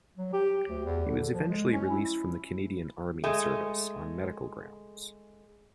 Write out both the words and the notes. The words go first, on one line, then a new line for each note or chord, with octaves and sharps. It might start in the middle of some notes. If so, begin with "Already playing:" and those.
He was eventually released from the Canadian army service on medical grounds.
F#3
G4
D2
E2
D3
F3
G#3
C#4
E4
G#3 A3